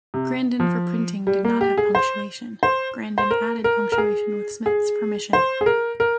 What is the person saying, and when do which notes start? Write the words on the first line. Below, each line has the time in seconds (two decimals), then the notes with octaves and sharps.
Grandin for printing did not have punctuation; Grandin added punctuation with Smith's permission.
0.14 C3
0.60 F3
1.27 G3
1.45 A#3
1.61 G4
1.78 G#4
1.95 C5
2.63 C5
3.18 C5
3.31 A#4
3.64 A#4
3.92 A#4
3.98 G#4
4.66 G#4
5.33 C5
5.61 G#4
5.66 A#4
6.00 A#4